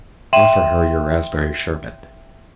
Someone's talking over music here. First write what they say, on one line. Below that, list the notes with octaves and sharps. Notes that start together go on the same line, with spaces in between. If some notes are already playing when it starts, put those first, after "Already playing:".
Offer her your raspberry sherbet.
E5 G5 C6 D#7 E7 F#7